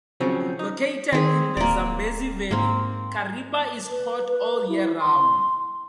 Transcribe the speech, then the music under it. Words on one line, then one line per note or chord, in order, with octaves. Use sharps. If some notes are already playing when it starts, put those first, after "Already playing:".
Located in the Zambezi Valley, Kariba is hot all year round.
C#3 F3 F#3 C4 C#4 F#4
D#4
D#3 C4 G#4
D1 A#3 D5
G#2 A#3 C4
B4
B4
E4
C6